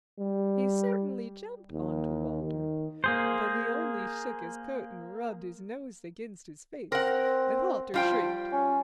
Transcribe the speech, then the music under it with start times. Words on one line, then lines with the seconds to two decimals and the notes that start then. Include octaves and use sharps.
He certainly jumped on to Walter, but he only shook his coat and rubbed his nose against his face; and Walter shrieked.
0.19 G3
1.72 D#2
2.43 D#3
3.04 A#3 G#4 C5
6.92 C4 A#4 F#5
7.94 F3 G3 F4 G5
8.52 C#4